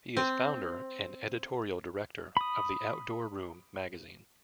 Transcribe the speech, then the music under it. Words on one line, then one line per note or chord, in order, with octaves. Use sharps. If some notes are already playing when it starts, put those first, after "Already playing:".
He is founder and Editorial Director of "The Outdoor Room" magazine.
C4
B5 D#6